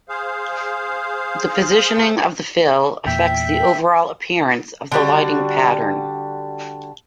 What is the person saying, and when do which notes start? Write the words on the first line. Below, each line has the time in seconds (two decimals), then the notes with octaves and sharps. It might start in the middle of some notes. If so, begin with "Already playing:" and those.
The positioning of the fill affects the overall appearance of the lighting pattern.
0.09 G#4 C5 F5
3.06 E2 A#2 E5 G5
4.92 D3 G3 F#4